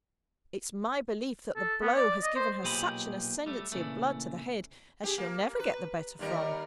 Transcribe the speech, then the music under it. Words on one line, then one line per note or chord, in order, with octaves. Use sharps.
It's my belief, that the blow has given her such an ascendency of blood to the head as she'll never get the better from.
A4
B3
D5
D#5
C5
B1 A#2 G4 G#4 D#5 B5
G3 A3
A#2 C#3 E3 A3
G4 G#4
A#3
B4
D#2 G3 A#4